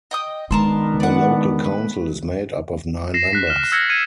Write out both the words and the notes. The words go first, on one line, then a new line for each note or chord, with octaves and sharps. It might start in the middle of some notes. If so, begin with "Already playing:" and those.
The local council is made up of nine members.
D#5 G5 D#6
D#3 G#3 B3 D4 A#4 A5 C6
D5 F#5
B4
A#6 C7 E7
F#6 B6
F6 E7
E6 F6 G#6 A#6 C#7
F6 G#6 C#7 D#7